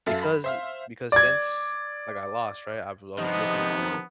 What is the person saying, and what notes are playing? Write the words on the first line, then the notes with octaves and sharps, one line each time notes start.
because, eh because since, like, I lost, right? I was I was looking for
F#2 A4 E5 F5
B5
C5 E5 F5
D5 G#6
C3 D#3 F3 B3 D#5